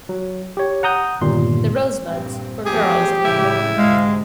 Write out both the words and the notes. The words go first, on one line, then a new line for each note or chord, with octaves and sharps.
The Rosebuds, for girls and young women.
F#3
G4 C#5
F#5 A#5 D#6 G6
G1 D#2 A#2 C6
G2 A#2 C4
E2 F3 A3 G4 G#4
A2 C#3 G#3 E4
D2 G#2 C3 G#3 F5